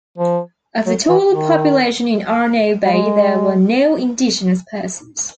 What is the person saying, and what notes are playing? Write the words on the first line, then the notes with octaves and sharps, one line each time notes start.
Of the total population in Arno Bay there were no Indigenous persons.
F3
F#3
E3
D#3
G3
G#3